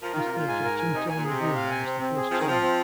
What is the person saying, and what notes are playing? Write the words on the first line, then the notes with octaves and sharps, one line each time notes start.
Mr. Jacinto Medina was the first chairman.
F3 A#4
D#3 F4
C3
A#2 F4
G#2 G#5
A#4
G#5
C3 D#4
A#2
G#5
A#2
C3 G#4
D#4
F5
G#5
C4
C4
G#4
F3 C4
D#3
F3 C4
C4